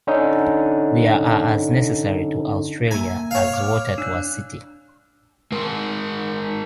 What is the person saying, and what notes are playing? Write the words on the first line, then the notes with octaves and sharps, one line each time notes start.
They are as necessary to Australia as water to a city.
D3 C#4 D#4
A#3 G#5 A#5
C#5 F5
D6 F6
D4 F#6
G#3 A#4